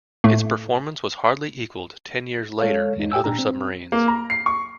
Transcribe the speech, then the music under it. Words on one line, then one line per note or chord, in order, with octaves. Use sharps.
Its performance was hardly equaled ten years later in other submarines.
A2 A3
G#3 A4 C#5 F5
E2 G#3 D#4
G4 G5 G#5 E6
A#2 D4 A#5
C4
A#3
A#5
C7
C#6